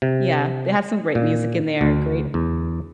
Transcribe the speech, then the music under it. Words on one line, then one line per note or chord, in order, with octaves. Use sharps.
Yeah, they had some great music in there, great
C3
A#2
D2
E2